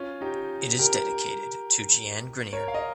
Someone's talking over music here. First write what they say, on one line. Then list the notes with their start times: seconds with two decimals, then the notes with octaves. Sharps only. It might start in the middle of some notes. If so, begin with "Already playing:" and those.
It is dedicated to Jeanne Granier.
Already playing: C#4 F4
0.21 D#4 G4
0.79 G4 A#4
2.53 A#4 C#5
2.68 F5
2.74 D#5